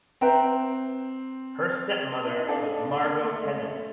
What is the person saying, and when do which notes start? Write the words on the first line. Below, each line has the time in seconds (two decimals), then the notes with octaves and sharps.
Her stepmother was Margot Tennant.
0.21 C4 B4 E5 G5 A#5
2.25 E4
2.36 D#4
2.48 D4 A4 D5 F5 G#5
2.62 D#4
2.77 D4
2.91 D4
3.05 A#3
3.24 A3
3.43 G#3
3.62 A3